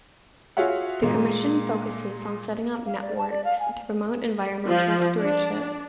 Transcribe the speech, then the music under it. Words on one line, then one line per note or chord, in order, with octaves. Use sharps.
The commission focuses on setting up networks to promote environmental stewardship.
F4 F#4 G#4 C#5 E5 F#5
A#2 G#3 A#3
A#3
F5
D5
A5
D5
F5
G#5
F3
D4